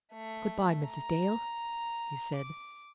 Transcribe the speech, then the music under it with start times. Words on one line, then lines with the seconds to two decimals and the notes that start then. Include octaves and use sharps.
"Good-by, Mrs. Dale," he said.
0.13 A3
0.89 A#5
2.36 D6